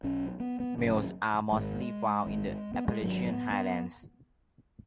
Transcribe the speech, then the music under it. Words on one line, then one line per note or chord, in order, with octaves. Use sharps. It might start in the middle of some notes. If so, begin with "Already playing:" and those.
Males are mostly found in the Appalachian Highlands.
B1 B2 C#4
B3
B3
G#1 F#2 C#3
G#1 G#2 G#3
G#1 G#2
B3
G#3
G#1 G#2 F#3
B3
B3